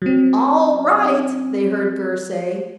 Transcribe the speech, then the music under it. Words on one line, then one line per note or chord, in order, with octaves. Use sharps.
"All right!" they heard Gurr say.
F#3 C4